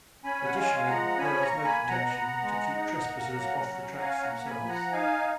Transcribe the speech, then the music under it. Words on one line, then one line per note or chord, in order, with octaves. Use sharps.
Additionally, there was no protection to keep trespassers off the tracks themselves.
C#4 G#5 B5
F#5
G#3 F5 G#5
F3 F#5 A#5
C#4 G#5 B5
A#5 C#6
A#3
G#5 B5
B2
F#5 A#5
B3
G#3
D#4
A#3
F#3
C#4
C#4 F5 G#5
F#5 A#5
A#3
G#5 B5
F3
F#5 A#5
D#4 F5 G#5